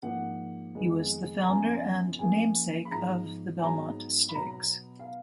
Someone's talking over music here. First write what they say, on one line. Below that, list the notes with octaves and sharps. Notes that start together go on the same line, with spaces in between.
He was the founder and namesake of the Belmont Stakes.
G#2 F3 A#3 F#5
F2 D#3 G#3 B3
A#5
F#2 F3 B3 G#5
F#2 F3 A#3 G#5
B5
G#2 F3 B3 A#5
G#5
G#2 F#3 B3 A#5
B5
B2 F#3 B3 A#5
F5